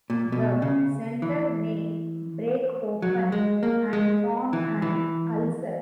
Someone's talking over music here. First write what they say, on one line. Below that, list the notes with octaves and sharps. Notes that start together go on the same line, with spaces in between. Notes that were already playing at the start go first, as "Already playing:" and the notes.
The center may break open and form an ulcer.
A#2
B2
C#3
E3
F#3
G#3
A#3
G#3
E3
E3